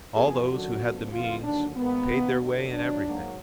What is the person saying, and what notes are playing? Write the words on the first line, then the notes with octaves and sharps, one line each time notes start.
All those who had the means paid their way in everything.
F#2 F3 B3 G#4
F#2 D3 F#3 F#4
F#2 D3 F3 B3
F2 D3 G#3 B3 F4
D#2 D3 F#3 D4
G#2 D#3 A#3 B3
D#2 D#3 A#3
D2 D3 F#3 B3
G#1 G#2 F#3 D4
G#2 F#3 A#3